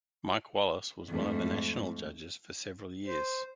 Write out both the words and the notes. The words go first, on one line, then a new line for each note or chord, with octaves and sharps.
Mike Wallace was one of the national judges for several years.
F2 G#2 A3
C5